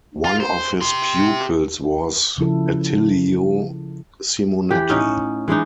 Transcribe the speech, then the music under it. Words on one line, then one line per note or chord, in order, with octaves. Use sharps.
One of his pupils was Attilio Simonetti.
F4
C5
G4 C6
C#3 F3 E4 A4
E3 G4
A2 C#4 D#4 F#5
E3 G#3 D4 D#4